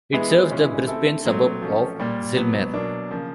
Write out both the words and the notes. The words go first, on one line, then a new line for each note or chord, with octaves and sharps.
It serves the Brisbane suburb of Zillmere.
E3 G#3 B3 E4 G#4
C#3 E3 G#3 C#4 E4
A3 C4 E4 A4
A#2 F#3 A3 C4
F3 A3 C#4
A#2 G3 A#3
B2 F#3 B3
B2 F#3 A#3 D4
C#3 F3 A#3